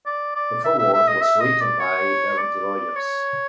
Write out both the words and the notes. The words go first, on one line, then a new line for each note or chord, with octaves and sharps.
The foreword was written by Everett Rogers.
D5
D5
E5
E5
E5
D#5
E5
D#5
D5
C#5
D5
C#5